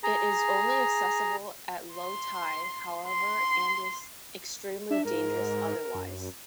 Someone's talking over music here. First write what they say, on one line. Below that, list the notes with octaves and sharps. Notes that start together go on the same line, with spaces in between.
It is only accessible at low tide however and is extremely dangerous otherwise.
G#4 A#5
C6
C6
D4 E5
G#2 A#4
F#2